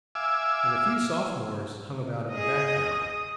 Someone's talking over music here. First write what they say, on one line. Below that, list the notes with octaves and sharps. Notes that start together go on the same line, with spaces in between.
And a few sophomores hung about in the background.
E5 F5 G#5 D6 E6
G#4 D#5 D#6